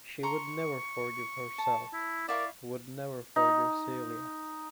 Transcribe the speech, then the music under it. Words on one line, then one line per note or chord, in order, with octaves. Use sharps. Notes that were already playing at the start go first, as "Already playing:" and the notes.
She would never forgive herself — would never forgive Celia.
A#5 C6 C#6
A5
E4
E4 A#4 D5 F5 C#6
D#4